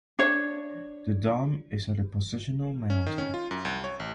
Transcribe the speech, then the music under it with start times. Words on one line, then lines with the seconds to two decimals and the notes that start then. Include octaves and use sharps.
The Dom is a depositional mountain.
0.19 D4 C#5
2.90 C#4
3.06 D#3
3.18 C#4
3.34 F4
3.51 F#2
3.65 C2
3.84 C#5
4.00 A1